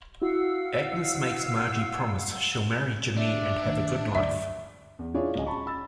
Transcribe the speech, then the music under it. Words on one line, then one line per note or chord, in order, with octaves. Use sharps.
Agnes makes Margy promise she'll marry Jimmy and have a good life.
E4 F#4 F5 F#5 E6
D4 E5
C2 D#3 A3
D2 G2 F3 D5 E5
E2
D4 E4 F4 G#4 C#5 D5
D1 C#2 D#5 G#5
A5 B5 C#6
B5 E6 A6